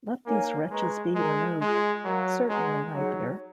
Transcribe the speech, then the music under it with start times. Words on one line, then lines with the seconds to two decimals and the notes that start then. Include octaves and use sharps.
'Let these wretches be removed.’ ‘Certainly, my dear'.
0.26 A#3 D#4 A#4 C#5 G#5
0.70 G#3 B4 D#5 A#5 C#6
1.15 G#3 A#4 D#5 A#5
1.60 G#3 F4 G#4 D#5
2.04 F#3 A#4 F5 A#5 C#6
2.49 G#3 B4 F#5 A#5 C#6
2.94 F#3 D#4 G#4 C#5 F#5